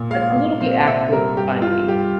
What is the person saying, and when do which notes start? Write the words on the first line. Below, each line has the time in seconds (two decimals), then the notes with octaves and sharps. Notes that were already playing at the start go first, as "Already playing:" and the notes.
That's a little bit actually funny.
Already playing: A#2
0.10 G#3 F5
0.36 A#2
0.61 C4 F5
0.86 C3 E5
1.12 G3 A#4
1.37 G2 G4
1.62 G2 F4
1.88 G2 G4